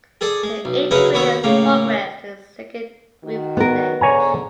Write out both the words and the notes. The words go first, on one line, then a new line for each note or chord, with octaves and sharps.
The eight winners progress to the second group stage.
G#4 A4 D5 A5
G#3
B1
C#3 F#3 C#4 E4 B4 D#5
D#2 B3 F#4 C#5 E5
A2 C#3 A#3
D#3 F#4
B3 A#4
G#2 D3 C#5 G#5 A#5